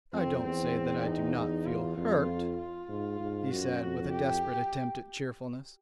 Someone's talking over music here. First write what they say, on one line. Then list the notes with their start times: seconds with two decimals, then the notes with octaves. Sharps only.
"I don't say that I do not feel hurt," he said, with a desperate attempt at cheerfulness.
0.13 F2 C4
0.44 E2 C4
1.05 D#4
1.36 E2
1.66 F4
1.97 F2 F4
2.59 F4
2.89 G#2
3.20 G#2
3.51 F#2 F#4
3.82 F2
4.12 G4